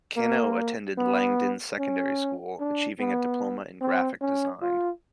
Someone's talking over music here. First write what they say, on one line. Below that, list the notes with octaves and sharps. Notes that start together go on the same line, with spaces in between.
Kano attended Langdon Secondary School, achieving a diploma in graphic design.
A#3
B3
C#4
D4
B3
C4
C#4
F4